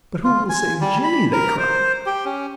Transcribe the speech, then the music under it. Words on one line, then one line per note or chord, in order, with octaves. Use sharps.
"But who will save Jimmie?" they cried.
F4
G#5
G3
B5
A#4
C5
G4
C#4